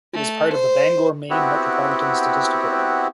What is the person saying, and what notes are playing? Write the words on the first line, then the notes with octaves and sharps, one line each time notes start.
It is part of the Bangor, Maine Metropolitan Statistical Area.
A3
C5
B3 C4 E4 F#4 G4